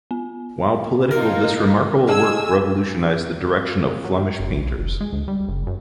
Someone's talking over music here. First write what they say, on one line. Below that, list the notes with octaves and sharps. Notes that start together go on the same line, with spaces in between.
While political, this remarkable work revolutionized the direction of Flemish painters.
B3
A#3 D#4 F4 A#4
G#4 D#5 G#5 A5 E6
A#2
F#3
G3
F#1
B1
F1
G#3
D2
G3
F#1
F#2